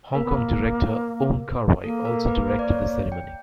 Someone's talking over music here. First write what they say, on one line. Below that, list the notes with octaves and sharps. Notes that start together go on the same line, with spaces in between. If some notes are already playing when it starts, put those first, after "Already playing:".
Hong Kong director Wong Kar-wai also directed the ceremony.
A#3 A#4
B3
A#3
A#3 A4
A#4
B4
C5
D5
C#5
G5